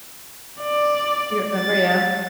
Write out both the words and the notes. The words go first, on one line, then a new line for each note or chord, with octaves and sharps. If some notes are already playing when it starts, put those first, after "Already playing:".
You don't remember, yeah?
D5
A6